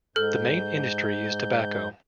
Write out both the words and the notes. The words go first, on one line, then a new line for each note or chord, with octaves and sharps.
The main industry is tobacco.
G#2 A4 F6 G6